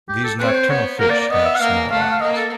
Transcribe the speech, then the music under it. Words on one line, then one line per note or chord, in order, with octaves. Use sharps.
These nocturnal fish have small eyes.
G4
A4
C4 B4
C#5
C5
B3 C#5
A#3 A#4
D5
D5
B3 D#5
E5
F#5
A#3 F5
A3 F5
F#5
F5
A#3 D#5
A4